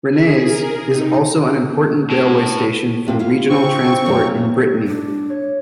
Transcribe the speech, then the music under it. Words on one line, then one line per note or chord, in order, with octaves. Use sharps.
Rennes is also an important railway station for regional transport in Brittany.
G#4
G#4 A#4
C3 D#4
A2
A2 C3 F5
E4 F4 F5
C4 C#6
F#2 A3 F5
D4
C#5